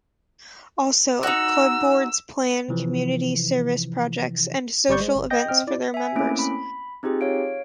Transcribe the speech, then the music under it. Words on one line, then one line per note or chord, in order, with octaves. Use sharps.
Also, Club Boards plan community service projects and social events for their members.
D#4 F#4 E6
C3 E3 F3
G1 G3 D5 C#6 G6
G#3 C5
G1
D#5 G5 G6 A#6
C4 D#5 G5 F6
E4 D5
E5 G#5
A3 A#3 C4 C#4 E4 D7
B5
C4 D#4 F4 G4 G#4
C#5 F5 D7